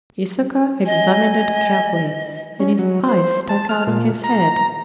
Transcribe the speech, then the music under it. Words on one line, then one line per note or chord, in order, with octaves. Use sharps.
Issachar examined it carefully, and his eyes stuck out of his head.
D#5 G#5
C#4
F#3
C5
A5
F6
A#2
A#5